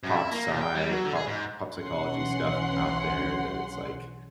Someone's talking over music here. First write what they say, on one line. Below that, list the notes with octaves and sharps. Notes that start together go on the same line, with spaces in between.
pop psy pop pop psychology stuff out there that it's like
F#2
E4
A#3
A#2
G5
G3
F#3
D3
G#4
G#2
B1 E3 C#4 F#5 C6